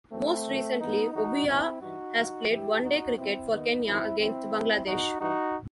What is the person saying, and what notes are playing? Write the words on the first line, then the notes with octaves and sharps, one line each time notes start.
Most recently, Obuya has played one-day cricket for Kenya against Bangladesh.
F#2 E3 A3 C4
F#2 D#3
G2 E3 B3 D#4
F#2 E3 D#4 F#4
D#2 D#3 C4 E4
G2 E3 D#4 F#4
G2 E3
G2 E3 E4 G4
E2 B2 D#4 F#4
E2 B2 C4 E4
D#2 D#3 B3 D#4
F#2 D#3 C4 E4
F#2 E3 C4 E4
G2 D#3
E2 B2 D#4 F#4
G2 E3 D#4 F#4